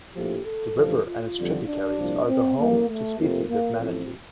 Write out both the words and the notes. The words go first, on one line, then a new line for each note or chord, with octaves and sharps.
The river and its tributaries are the home to species of manatee.
A#1 A2 F3 A3 G4
A4
A1 G2 D3 F3
F4
F2 D3 G3
D4
C2 A#2 F3
C4
A1 A2 G3 A#3
A3
F2 C3 F3 A3 A#3
A#3
A1 A2 F3 A3 C4